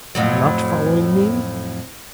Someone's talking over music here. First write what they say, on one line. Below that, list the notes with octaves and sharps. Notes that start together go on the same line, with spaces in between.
Not following me?
F2 A2 F#3